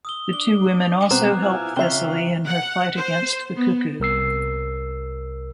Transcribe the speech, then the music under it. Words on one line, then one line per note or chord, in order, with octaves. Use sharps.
The two women also help Thessaly in her fight against the Cuckoo.
D#6 E6 G7
D4 G7
B2 G3 B3 C4 A#5 D6 F#6
E4 F4 G#5
C#3 C4 F4 E5 C7 G7
F#5
C5
B3
C2 A#4 E6 C7